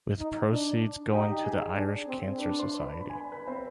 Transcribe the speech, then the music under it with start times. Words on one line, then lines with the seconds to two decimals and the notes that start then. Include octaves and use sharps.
With proceeds going to The Irish Cancer Society.
0.19 D#4
0.50 D4
1.13 D#4 G4 G5
1.32 G5
1.44 G#4 G#5
1.75 D4
2.07 C4
2.38 D4 B4 B5
2.59 C5 C6
2.80 B4 B5
3.00 B4 B5
3.10 G#5
3.16 B4 B5
3.32 B4 B5
3.48 C4 C5